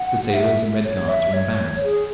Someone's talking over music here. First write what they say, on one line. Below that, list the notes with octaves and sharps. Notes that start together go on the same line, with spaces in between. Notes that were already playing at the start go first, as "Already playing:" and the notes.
The sailors and Red Guards were embarrassed.
Already playing: F#5
E5
C#5
E5
C#5
G#4